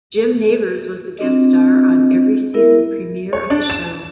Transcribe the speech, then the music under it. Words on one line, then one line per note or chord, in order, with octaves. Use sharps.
Jim Nabors was the guest star on every season premier of the show.
C4 D4 F4 D#5
B3 E4 A#4 E5
C#5
D4
E7